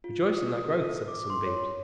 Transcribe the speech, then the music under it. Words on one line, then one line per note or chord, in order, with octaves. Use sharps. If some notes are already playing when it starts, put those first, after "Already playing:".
"Rejoice in thy growth!" said the Sunbeams.
F4
D#6
D#6
A4
D6
C6
C#5